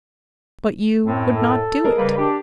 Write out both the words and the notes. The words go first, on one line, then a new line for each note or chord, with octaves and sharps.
But you would not do it.
F#2 A2 C4
A4
G#4 A#4 D#5
C#3 G3 A#3 B4
D4 G4